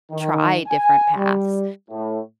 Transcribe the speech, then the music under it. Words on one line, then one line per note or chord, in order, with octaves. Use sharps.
try different paths.
D#3
G#5
G3
A2